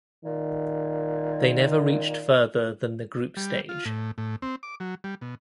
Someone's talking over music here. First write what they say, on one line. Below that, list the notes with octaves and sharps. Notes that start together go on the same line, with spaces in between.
They never reached further than the Group Stage.
A#2 D#3
G3
F4
A2
A2
C4
D6
F#3
G3
B2